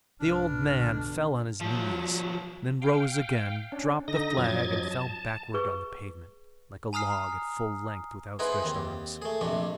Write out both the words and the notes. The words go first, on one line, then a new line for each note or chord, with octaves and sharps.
The old man fell on his knees, then rose again, dropped the flag and fell backwards on the pavement, like a log, at full length, with outstretched arms.
C2 G#2 D4 B4 F6
B2 D3
F3 F#3
F5 G5
C#4 D4
D3 D#4 D#5 A#6
F#2 F3 F#3 D#5 G#6 A6
A5
G#4 B4 C#6
G#5 A#5 D#6 F6 C7
B3 D#4 E4 G#4 B4 C5
D#2 C4
A3 G#4
A#1 F2 C3 A3